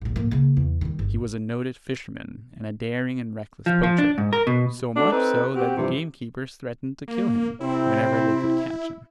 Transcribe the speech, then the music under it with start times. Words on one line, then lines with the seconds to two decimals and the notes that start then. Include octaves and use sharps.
He was a noted fisherman and a daring and reckless poacher, so much so that the gamekeepers threatened to kill him, whenever they could catch him.
0.01 A1 A#2
0.16 A2 A#3
0.31 C#3 A#3
0.57 E2
0.81 D#3 G3
0.99 G1
3.66 F3
3.83 F3
3.98 D4
4.18 G#2
4.33 A#4
4.47 B2
4.96 A3 D4 F#4 A4
5.12 C4 D#4 A4 B4
5.54 C4 F#4 G4
5.77 G2 C3 E3 F3
7.08 A#3
7.61 C3 C4 E4